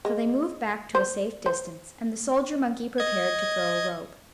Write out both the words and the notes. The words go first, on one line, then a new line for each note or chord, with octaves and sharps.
So they moved back to a safe distance, and the soldier-monkey prepared to throw a rope.
G#3
C5
C5
D#5 G#6